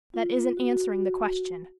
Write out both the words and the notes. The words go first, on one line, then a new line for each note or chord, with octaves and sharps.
"That isn't answering the question."
F4
F#4